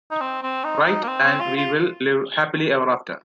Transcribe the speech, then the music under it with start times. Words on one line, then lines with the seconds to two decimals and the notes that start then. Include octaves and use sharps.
Right, and we will live happily ever after.
0.11 D#4
0.21 C4
0.43 C4
0.64 D#4
0.86 D#4
1.03 A#3
1.07 C4
1.24 C4
1.40 F4
1.57 F4